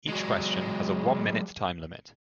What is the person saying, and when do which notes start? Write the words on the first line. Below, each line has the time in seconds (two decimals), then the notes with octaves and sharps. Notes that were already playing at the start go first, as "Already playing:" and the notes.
Each question has a one-minute time limit.
0.09 F#3 G#3